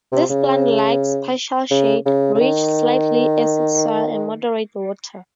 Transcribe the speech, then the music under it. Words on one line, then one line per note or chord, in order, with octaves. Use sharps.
This plant likes partial shade, rich, slightly acid soil and moderate water.
C3
C#3
C#3
C#3
C#3
D#3